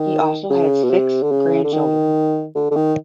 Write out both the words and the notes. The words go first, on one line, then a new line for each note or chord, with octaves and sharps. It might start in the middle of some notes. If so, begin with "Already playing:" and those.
He also had six grandchildren.
Already playing: D#3
C#3
B2
C3
D3
C#3
D3
D#3
D3
D3
D#3